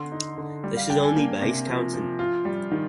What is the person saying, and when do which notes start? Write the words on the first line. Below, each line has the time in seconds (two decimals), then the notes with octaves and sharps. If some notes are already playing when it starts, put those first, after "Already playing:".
This is only base counting.
Already playing: D3 C6
0.12 D#4
0.38 D3
0.64 G3
0.77 F5
0.90 D4 G5
1.03 G#5
1.16 A#3
1.42 C3
1.68 F3
1.94 F3
2.19 F4
2.45 G3
2.71 D#3